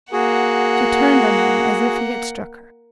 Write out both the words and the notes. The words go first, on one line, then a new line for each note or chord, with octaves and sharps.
She turned on him as if he had struck her.
A#3 F#4 G#4 F#5